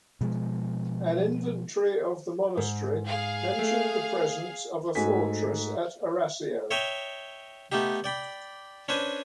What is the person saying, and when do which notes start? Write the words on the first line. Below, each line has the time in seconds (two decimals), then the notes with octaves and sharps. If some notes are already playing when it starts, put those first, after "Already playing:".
An inventory of the monastery mentioned the presence of a fortress at Arasio.
0.21 B2 F3 G#3
2.57 G#2
3.06 G#4 F5
3.59 A3
4.95 G#2 A3 F#4 G#5 B6
6.71 C#5 D#5 E5 G5 A#5
7.72 A3 B3 D#4 G4
8.04 D5 G5 B5
8.88 C#4 D4 B4 C5 G#5